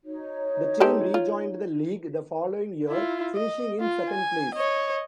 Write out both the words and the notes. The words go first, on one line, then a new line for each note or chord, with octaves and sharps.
The team rejoined the league the following year, finishing in second place.
D#4 F#4 C#5
G#3 G4 A4
F4
E4 F4
D#5
F4
G#5
C#5 D#5